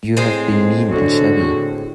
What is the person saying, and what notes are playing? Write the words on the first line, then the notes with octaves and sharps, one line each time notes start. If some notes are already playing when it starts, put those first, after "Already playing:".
You have been mean and shabby.
A2 G#3 C4
D3 F#4